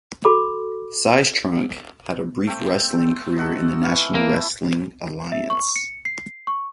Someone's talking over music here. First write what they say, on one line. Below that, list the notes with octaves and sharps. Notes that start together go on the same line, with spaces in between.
Sistrunk had a brief wrestling career in the National Wrestling Alliance.
F#4 A4 B5 D6
A3 C4 G5
D#4 F#4 A4
E3 F5 C#6
A#3
E4
E5
C#6
C#7
C7
C#6